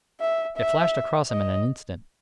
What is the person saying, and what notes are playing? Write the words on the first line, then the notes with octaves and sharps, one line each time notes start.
It flashed across him in an instant.
E5
E5
D#5